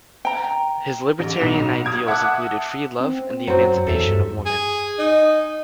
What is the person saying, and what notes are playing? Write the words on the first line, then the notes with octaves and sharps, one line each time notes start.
His libertarian ideals included free love and the emancipation of women.
G5 A#5
A1
B1 E7 F7
D#6 G#6 D7
E5 F#5 A5 D6 D#6 F#6
C4
F#2 F#3 C4
E2 A4 E5
G2
G#4
D#4